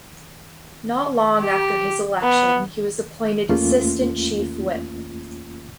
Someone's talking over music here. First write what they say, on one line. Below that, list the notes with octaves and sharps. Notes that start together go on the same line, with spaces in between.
Not long after his election he was appointed assistant Chief Whip.
G4
B3
E2 A3 A#3 C#4 F4